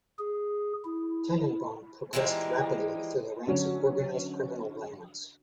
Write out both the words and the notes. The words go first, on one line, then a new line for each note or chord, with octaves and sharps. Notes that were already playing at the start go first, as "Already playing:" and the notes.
Tannenbaum progressed rapidly through the ranks of organized criminal violence.
G#4
E4
E3 F3 G3 G#3 A#3 D#4
D3 F#3 C#4